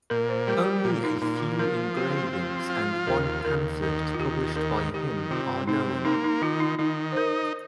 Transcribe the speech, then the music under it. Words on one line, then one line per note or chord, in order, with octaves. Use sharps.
Only a few engravings and one pamphlet published by him are known.
A#2 A#4
C5
G3 A#4
G4
A#2 F4
D#4
A#2 D#4
F4
F3 A#4
C4 G4
F3
F4
D#2 A#4
D#2 A#4
D#3 A#4
F4
D#2 G4
D#3 A#4
D#3 G4
C3 F4
C3 D#4
A#3 D#4
D#4
D#3 F4
D#4
D#3 D#4
C5
D#4 A#4